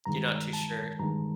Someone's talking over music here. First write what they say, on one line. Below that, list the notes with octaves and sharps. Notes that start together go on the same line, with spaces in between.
You're not too sure.
G2 D#3 G#3 A#5
A5
G2 D#3 G#3 A#5